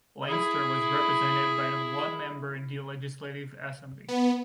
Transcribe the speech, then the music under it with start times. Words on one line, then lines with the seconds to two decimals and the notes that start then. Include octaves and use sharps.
Leinster was represented by one member in the Legislative Assembly.
0.26 E4 G#4
4.08 B3